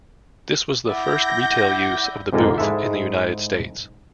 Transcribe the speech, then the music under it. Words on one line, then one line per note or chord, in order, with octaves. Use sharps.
This was the first retail use of the booth in the United States.
E4 D5 F#5 G6 A#6
F2 G#2 D3 A#3 F4
G#2 G#3 E4 A4 E5